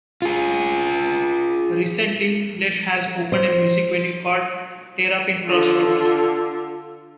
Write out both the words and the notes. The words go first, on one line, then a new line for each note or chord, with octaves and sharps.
Recently, Lesh has opened a music venue called Terrapin Crossroads.
F4 G#4
C5
D3 F4